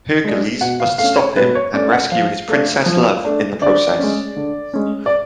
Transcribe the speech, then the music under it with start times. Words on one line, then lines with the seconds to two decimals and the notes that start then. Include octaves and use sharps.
Hercules must stop him and rescue his princess love in the process.
0.24 G#3 D4
0.61 B2 F#5
0.80 F5
0.98 A3 F5
1.04 C#4
1.17 C#5
1.36 B2 B4
1.55 C#5
1.74 A3 C#4 D5
1.92 F#5
2.11 F3 F5
2.48 A3 D4
2.86 F3
3.24 A3 D4
3.61 D3 D5
3.99 G#3 C#4
4.36 D3
4.73 G#3 C#4
5.06 D5